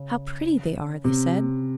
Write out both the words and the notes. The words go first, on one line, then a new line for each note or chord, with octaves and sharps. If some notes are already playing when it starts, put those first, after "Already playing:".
"How pretty they are!" they said.
Already playing: C#3
C3